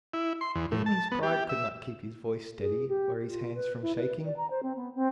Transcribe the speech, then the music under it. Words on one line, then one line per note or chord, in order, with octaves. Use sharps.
Even his pride could not keep his voice steady or his hands from shaking.
E4
C6
E2
A2
A5
B3
G4
E5
G#4
G4
F4
B4
E4
B4
D5
A#5
C5
C4
B3
C4